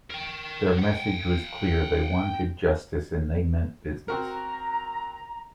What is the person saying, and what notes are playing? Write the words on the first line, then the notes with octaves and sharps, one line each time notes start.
Their message was clear: They wanted justice and they meant business.
A#4 G5
F#5 G5
C4 F#4 A#4 A#5